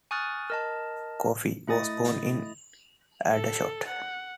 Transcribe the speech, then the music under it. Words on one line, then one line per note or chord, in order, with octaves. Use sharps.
Coffey was born in Aldershot.
G#5 C#6 D#6 F6 F#6 A6
A#4 D#5 A5
A3 E4 D#5 D#6 A6
A4
F#5